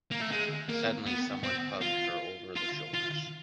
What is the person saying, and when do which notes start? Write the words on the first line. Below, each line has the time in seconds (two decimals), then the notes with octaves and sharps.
Suddenly someone hugged her over the shoulders.
0.11 A#3
0.21 A3
0.31 G#3
0.69 A#3
1.07 B3
1.43 C4
1.81 F4
2.56 F4
2.94 F4